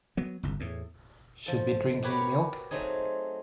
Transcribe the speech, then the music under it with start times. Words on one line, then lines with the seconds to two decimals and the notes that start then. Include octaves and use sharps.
Should be drinking milk.
0.17 F#3 B3
0.43 G1 C2
0.60 E2 A2
1.46 F3 A4
2.03 F#4 G4 A#4 B4 C#5 F#5
2.71 F#3 A3 C4 D#4 G#4